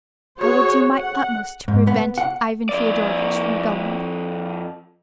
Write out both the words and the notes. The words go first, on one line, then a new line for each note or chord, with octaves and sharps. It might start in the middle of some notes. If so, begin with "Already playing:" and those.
"I will do my utmost to prevent Ivan Fyodorovitch from going."
F#4 G#4 C5 C#5
F#5
G#2
B3
F#5
F2 D5